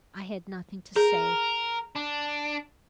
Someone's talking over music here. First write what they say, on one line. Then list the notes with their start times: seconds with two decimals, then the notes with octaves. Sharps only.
I had nothing to say.
0.96 G#4 A#4
1.96 D4